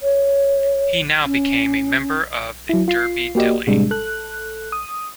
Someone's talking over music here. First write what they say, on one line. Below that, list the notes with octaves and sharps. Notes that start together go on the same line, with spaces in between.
He now became a member of the Derby Dilly.
C#5
C#4
F#3 E4
F4 C7
A#3 F#4 G4 D5 D#5
A2 C3 G3 G#3 D4
A4 F#6
D#6